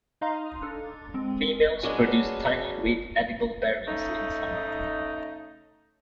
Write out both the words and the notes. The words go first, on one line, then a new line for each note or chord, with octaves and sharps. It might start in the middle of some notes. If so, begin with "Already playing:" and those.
Females produce tiny, red, edible berries in summer.
D#4 D#5 F5 A#5 C6
D4 A4
G#3 C4
F#3 G#3 B3 C#4 D4
C#3 A3 D#4